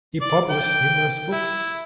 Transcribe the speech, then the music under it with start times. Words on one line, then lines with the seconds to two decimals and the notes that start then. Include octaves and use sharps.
He published numerous books.
0.21 D5
0.50 G5
1.32 E4